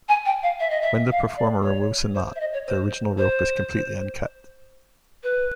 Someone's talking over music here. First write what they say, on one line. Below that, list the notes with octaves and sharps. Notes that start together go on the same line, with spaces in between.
When the performer removes the knot, the original rope is completely uncut.
G#5
G5
F5
E5
D#5
E5
F5
D5
C#5
C5
E5
D#5
C#5
C5
C5
B4